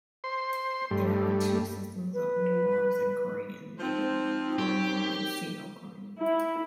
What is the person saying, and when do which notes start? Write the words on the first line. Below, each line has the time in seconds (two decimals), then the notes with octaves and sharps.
There are two systems of numerals in Korean: native Korean and Sino-Korean.
0.24 C5 C6
0.91 G2 G3 A3
2.13 B4
3.79 F3 C4 D#4
4.58 F#2 G4
6.20 E4